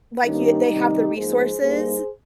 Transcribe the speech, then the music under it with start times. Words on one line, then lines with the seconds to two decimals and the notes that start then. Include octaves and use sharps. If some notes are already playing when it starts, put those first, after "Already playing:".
like you they have the resources
0.25 G2 D#3 A#3 C#4 D#4 G4
0.70 C3 D#3 G3
1.16 G#2 F3 A#3 D#4 G#4 C5
1.61 G2 G3 A#3 D#4 G#4 C5